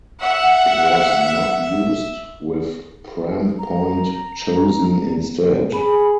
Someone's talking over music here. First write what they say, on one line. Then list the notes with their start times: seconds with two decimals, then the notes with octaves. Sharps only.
It was not used, with Pram Point chosen instead.
0.23 E5 F#5
3.59 A#5
5.73 G#4 B5